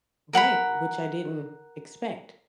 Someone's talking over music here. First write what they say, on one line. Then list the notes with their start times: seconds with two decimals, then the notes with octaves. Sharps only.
Right, which I didn't expect.
0.33 A#4 F#5 A#5 B5